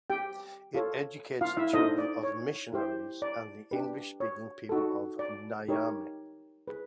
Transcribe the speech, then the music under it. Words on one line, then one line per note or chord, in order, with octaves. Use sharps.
It educates the children of missionaries and the English speaking people of Niamey.
G4 G5
F4 A4 C#5
F4 F5
E4 E5
D4 D#4 F4 A4 C5 D#5
D5
C#5
E4 G4 C5
D5
D4 G4 B4
C#5
D#4 F#4 A4
D5
D#4 G4 A#4 C#5
G#4 B4